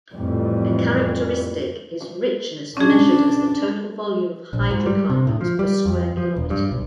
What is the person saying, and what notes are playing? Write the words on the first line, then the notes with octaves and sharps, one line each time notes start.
A characteristic is richness measured as the total volume of hydrocarbons per square kilometer.
F2 A2 E3 G3
C#4 D4 G#4
A#1
G#2
G3
C3
A2
F3
G3
F2
F3
E1
G2
B1